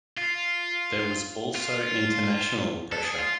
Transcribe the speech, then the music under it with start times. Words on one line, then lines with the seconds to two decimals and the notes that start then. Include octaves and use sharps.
There was also international pressure.
0.18 F4
1.55 F4
2.92 A4
3.05 G#4
3.18 F4